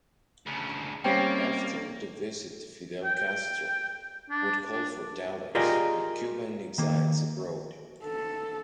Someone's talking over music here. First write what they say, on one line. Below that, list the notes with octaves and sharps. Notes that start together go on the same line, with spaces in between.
After the visit Fidel Castro would call for dialogues with Cuban exiles abroad.
D2 C#3
G3 A#3 C4 C#4 F5 G5
G5
D4
D4
F4 G4 G#4 A#4 D5 D#5
D#3 A#3
A4